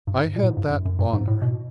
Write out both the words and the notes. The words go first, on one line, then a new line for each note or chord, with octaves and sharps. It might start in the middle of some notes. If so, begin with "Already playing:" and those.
I had that honour.
G2
G#2
A#2
A2
G#2
G2
F#2
F#2
G2
G#2
A2
B2